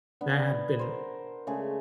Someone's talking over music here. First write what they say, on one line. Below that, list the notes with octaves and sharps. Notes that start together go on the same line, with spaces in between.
that had been
B3 D4
A#4 C5
C#3 G#3 A3 G#4